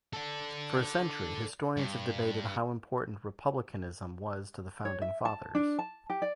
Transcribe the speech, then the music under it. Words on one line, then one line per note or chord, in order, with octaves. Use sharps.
For a century, historians have debated how important republicanism was to the Founding Fathers.
A4 D5
G2
C#5
E5
A5
D4
A5
G4
D5